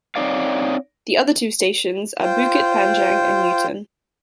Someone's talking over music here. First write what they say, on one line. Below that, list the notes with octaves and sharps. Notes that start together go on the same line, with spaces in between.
The other two stations are Bukit Panjang and Newton.
C4 D#4 C#5 D5 F5
F4 C5 G5